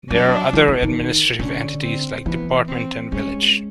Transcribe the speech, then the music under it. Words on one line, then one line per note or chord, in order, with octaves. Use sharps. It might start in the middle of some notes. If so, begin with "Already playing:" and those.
There are other administrative entities like department and village.
F#3 D4
F3
E3
D#3
D3 C#4
C4
E3 B3
C4
G#3 C#4